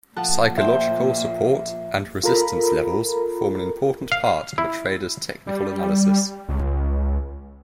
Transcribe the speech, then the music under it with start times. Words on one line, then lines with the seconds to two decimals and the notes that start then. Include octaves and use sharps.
Psychological Support and Resistance levels form an important part of a trader's technical analysis.
0.16 A#2 F3 A#3 A4 F#5
0.58 C5 E5 G5
2.24 F4 A4 A#4 A#5 B5
4.12 F5
4.58 E4
5.47 G3
6.49 C#2